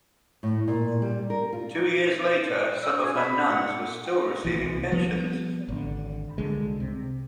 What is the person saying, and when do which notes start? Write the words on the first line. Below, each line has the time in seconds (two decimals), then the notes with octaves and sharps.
Two years later some of her nuns were still receiving pensions.
0.43 A2
0.68 A#2
1.02 G3
1.30 A#4
1.53 F4
2.83 E6
3.01 G#4
3.16 B5
3.49 F#5
4.45 C2 E3
4.92 F3 G3 B3
5.69 G#1 D3
6.38 C2 D3 G#3
6.80 C3